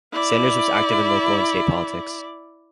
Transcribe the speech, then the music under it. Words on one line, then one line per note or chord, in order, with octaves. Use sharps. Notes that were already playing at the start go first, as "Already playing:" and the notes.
Sanders was active in local and state politics.
E4 D5